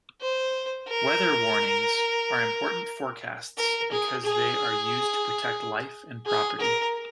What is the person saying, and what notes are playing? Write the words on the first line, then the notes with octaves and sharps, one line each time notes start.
Weather warnings are important forecasts because they are used to protect life and property.
C5
A#4
A#4
G#4
G#4
G#4
A#4